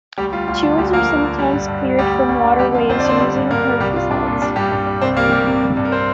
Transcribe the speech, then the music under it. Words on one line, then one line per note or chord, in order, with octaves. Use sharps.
Tules are sometimes cleared from waterways using herbicides.
D2 G3 G4
G3 F4
D2 F4
D3 F4
D2 G3 G4
F3 A#3 A#4
D2
D3
G3
G2
G2
G3
D2 G3 G4
G3
D2
D3
F2 G3 G4
F3 F4
F2 C5
D5
D3 C4 C5
G3
G2
G2 A#3 A#4
G3
C2 G3 G4
G3 F4
C2 D4
A#2
G3 D4
G2 G3 G4
G2
G3
C2 C4 C5
G3 A#3 A#4
C2 G3 G4
C3
G3
G2
A#4
C4 C5